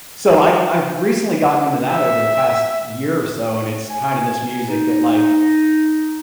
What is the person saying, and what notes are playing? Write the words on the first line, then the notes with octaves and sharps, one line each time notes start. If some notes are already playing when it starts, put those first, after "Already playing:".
So, I I've recently gotten into that over the past year or so, and it's kinda this music, that, like
E5
G#5
D#4